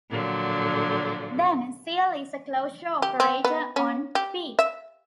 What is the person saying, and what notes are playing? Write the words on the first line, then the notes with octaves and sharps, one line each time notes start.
Then cl is a closure operator on "P".
A#2 D3 F3 F#3
G4
C4
B3
C#4
G4
E5